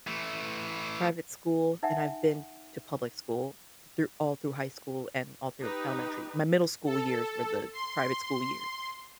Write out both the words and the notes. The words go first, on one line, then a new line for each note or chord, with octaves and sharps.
private school, and I've been to public school through all through high school and all through elementary. My middle school years were the private school years.
E3 A3
D#4 E5 F#5 G#5
D#4 G4 B4
A4
C6
C6